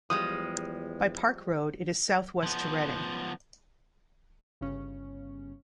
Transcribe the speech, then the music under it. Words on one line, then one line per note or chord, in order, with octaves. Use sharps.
By Park Road it is southwest to Reading.
E2 F3 G3 G#3 D#6
F3 B3
G1 C#3 C#4